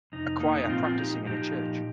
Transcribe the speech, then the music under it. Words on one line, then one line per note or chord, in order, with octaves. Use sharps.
A choir practicing in a church.
F2 C3 D#4
A#3 D#4
D#4
A#2 F3 C4 F4
C4 F4
D#4 G4
A#2 F3 D#4 G4